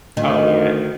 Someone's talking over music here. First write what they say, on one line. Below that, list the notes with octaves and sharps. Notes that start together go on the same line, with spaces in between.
Oh, yeah.
D2 D#3